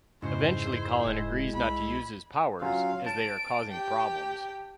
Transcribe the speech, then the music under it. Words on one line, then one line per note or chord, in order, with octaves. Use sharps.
Eventually Colin agrees not to use his powers, as they are causing problems.
F2 G#2 C#3 G#3 E4 F#4 C5
E1
C2 B5
F#3 C#4 F4 F5
A5 D7
G4 G5